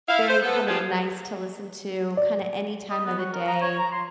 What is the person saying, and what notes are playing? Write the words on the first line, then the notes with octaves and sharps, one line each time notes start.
very kind of nice to listen to kinda any time of the day,
E4 F5
C5
B3 A4
F3 G3 D4 F4 G4 G#4
D5
D#5
B3
F#4
A#4
A#5
C#5
A#5
C6